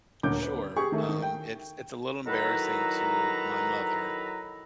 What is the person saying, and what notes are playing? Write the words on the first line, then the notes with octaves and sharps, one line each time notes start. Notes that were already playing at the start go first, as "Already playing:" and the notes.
Sure, um, it's it's a little embarrassing to my mother,
D#1 D2 A#3 C#4 D6 G6
B4
G4 G#4 C#6
D#3 A3
D#3
G5
D#3 F#3 E4 A4 B4 A#5